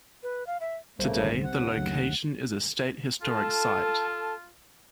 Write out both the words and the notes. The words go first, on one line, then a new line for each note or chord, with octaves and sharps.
Today, the location is a state historic site.
B4
F5
E5
A#1 C#3 G3 A3 A#3 C5
G#1 D2
D#2 C3 F#5
F#1 D2 C#3 F#3
D#3
F4 A4 A5